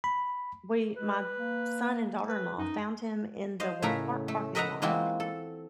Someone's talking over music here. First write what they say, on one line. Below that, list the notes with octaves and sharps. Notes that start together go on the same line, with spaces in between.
we my son and daughter-in-law found him in the Walmart parking lot,
B5
G#3 B4
A#3
B4
F#2 D#4
C5 D#5 F5
A2 C#3 A3 A#4 E5 A#5
A3
A#4 B4 D#5 E5 F#5 A#5
E3 G#3 A#3 C4 F4 F#4
A4